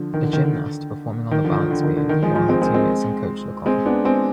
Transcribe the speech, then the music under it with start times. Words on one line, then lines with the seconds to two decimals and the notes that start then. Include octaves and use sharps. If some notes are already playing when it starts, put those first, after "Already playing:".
A gymnast performing on the balance beam while her teammates and coach look on.
Already playing: D3 F3
0.14 D#3
0.24 D3
0.33 D#3
0.43 D3
1.31 D#3
1.44 D3 F3
1.57 D3 F3
1.71 D3
1.84 D#3
1.97 D3
2.09 D#3
2.22 F3 G#3
2.36 F3 G#3
2.49 G#3 C4
2.62 G#3 C4
2.74 G#3 C4
3.66 G#3 C4
3.86 B3 D4
4.05 G#3 C4